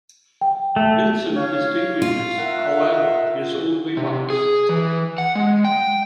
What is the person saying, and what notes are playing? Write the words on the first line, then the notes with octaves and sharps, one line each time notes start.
Vincent distinguishes, however, his own remarks.
G5
A3
C#5 F5
F4
A#4 E5 F#5
C3
G#4
E3
F#5
G#3
G5